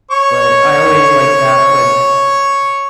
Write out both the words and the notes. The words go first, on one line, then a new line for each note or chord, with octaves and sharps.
but I always liked that when
C#5 C#6